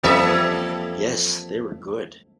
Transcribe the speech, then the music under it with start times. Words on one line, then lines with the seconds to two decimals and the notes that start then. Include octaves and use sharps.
Yes, they were good.
0.04 F2 E3 G3 A#3 A4 E5